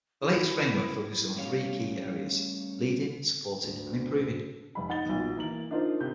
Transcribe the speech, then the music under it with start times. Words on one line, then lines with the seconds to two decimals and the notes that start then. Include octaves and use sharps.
The latest framework focuses on three key areas: leading, supporting and improving.
0.21 E4
1.36 G3 A3 C#4 C#5 F5
3.64 D2
4.75 F1 B5
4.89 D#4 F#5 A6 G7
5.09 B1 A#2
5.36 E3 A#3 A#4 F#7
5.71 D4 D#4 F4 A#4 C5
6.01 C3 G6